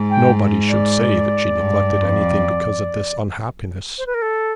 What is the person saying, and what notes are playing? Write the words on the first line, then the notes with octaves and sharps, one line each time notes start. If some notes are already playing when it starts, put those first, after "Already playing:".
Nobody should say that she neglected anything because of this unhappiness.
Already playing: G#2
G5
D5
G2
F2
C5
B4
A#4
A4